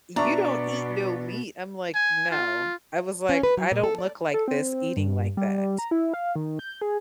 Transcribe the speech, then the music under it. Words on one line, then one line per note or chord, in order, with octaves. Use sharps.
"You don't eat no meat," I'm like, "No." I was like, "I don't look like this eating like that."
B2 B3 D4 D5 E5 A#5 C#6
G#5
F4
C#4
B4
F#3
A#2
A4
D5
A4
C4
G2
G3
G3
A#5
E4
F5
D#3
G6
G#4